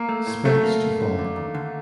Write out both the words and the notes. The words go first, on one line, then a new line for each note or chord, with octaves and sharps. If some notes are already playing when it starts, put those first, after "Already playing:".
Specs to follow.
Already playing: A#3
A3
A2
F#3 A3
A#3
F#2
F#2
D3
D#2
D3